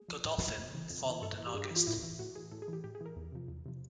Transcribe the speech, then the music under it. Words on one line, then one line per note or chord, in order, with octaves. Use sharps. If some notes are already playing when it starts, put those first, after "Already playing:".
Godolphin followed in August.
Already playing: G#4
F3
A2
F3
F2
C#3 E3
F2
C#3 E3
G2 A4
E3
G4
G2 G#4
G4
E3
F4
A2 E4
E3
A2 F#4
E3 G#4
A2 A4
G#4
E3 G4
A2 G4
G#4
E3 A#4
E2
C3 F3
E2
C3 F3